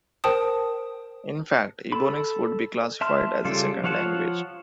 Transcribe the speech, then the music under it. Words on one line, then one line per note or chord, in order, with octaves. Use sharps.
In fact, ebonics would be classified as a "second language".
A#4 C5 G5 A5 D#6
A4 B5
E5 A5 C6 F6
C#3 G3 F4 A4
F3 F4 C#5 F#5 A5